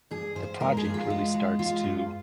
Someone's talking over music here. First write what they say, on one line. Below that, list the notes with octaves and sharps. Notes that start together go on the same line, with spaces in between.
the project really starts to,
G2 G#4
G2 C5
G#3 A#4
G#4
G2
F4
G#3
G#3
G#3 F4
G2